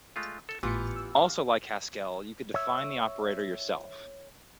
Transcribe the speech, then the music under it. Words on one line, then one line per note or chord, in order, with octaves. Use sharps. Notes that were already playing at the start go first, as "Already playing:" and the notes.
Also like Haskell you could define the operator yourself.
G#3 A3 F4
A4
G#1 A2 E3 B3 F4 G4 C#7
E6
F5
C#5 E5